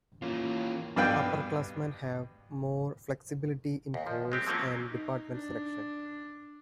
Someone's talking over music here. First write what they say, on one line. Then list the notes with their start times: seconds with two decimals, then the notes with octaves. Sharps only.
Upperclassmen have more flexibility in course and department selection.
0.22 E3 A#3 C#4 F4
0.96 G2 B2 D4 B4 F5 G5
3.94 D#2
4.07 F3
4.32 G#3 C4 G4
4.46 F3 F#3 A#3 C4 C#4
4.90 D#4
5.34 D4